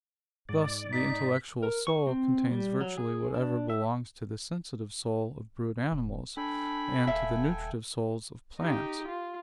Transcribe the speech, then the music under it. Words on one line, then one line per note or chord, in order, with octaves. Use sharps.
Thus the intellectual soul contains virtually whatever belongs to the sensitive soul of brute animals, and to the nutritive souls of plants.
G#2 D5
D#4 B6
A#4
C#6
C4
G3
F#3
G#4
D4
E5
E1
D4 A4 G5 G#5 B5
D#1 E5 F5
D#4 G4
F4